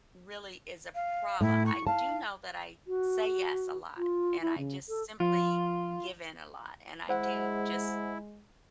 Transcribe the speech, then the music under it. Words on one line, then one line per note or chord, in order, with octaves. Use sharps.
really is a problem. I do know that I say yes a lot, and I just simply give in a lot, and I do just,
F5
A2 E4
C#6
F5 A5
F#4
F4
E4
C#3
A4
F3 F4
G#3 E4 C5 F#5